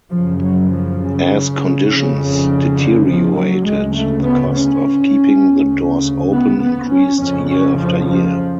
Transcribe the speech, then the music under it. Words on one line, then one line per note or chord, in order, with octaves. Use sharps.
As conditions deteriorated the cost of keeping the doors open increased year after year.
F#2 C#3 F3
F#3
F3
C#3
F2 C#3
D3
F3
F#3
D2 C#3 G#3
A3
B3
C#4
D2 C#3
B3
B3
C#4
F2 C#3 C#4
C#4
F3
F3